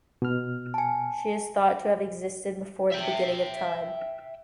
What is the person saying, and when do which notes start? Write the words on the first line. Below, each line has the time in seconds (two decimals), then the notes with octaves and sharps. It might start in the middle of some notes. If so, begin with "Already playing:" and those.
She is thought to have existed before the beginning of time.
0.22 B2 F6
0.74 G#5 A5
2.92 E5 G5